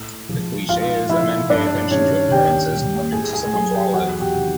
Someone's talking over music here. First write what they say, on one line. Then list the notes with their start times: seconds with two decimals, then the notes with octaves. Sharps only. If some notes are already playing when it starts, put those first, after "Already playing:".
The cliche is that men pay attention to appearances and women to someone’s wallet.
Already playing: A2
0.28 F3 G#3
0.69 G#2 F4 F5
1.09 F3 A3 E4 E5
1.50 G2 D4 D5
1.91 D#3 G3 C#4 C#5
2.31 D#2 G4 G5
2.72 D#3 G3
3.12 A2 G#4 G#5
3.33 G#4 G#5
3.53 F#3 A3 G#4 G#5
3.73 G4 G5
3.93 E2 F#4 F#5
4.20 G4 G5
4.34 C3 D#3